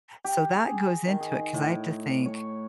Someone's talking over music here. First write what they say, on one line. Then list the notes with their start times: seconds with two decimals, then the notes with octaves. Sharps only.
So, that goes into it, 'cause I have to think,
0.24 G4
0.55 G#4
1.07 D#3
1.20 G#4
1.54 A2
2.26 C#5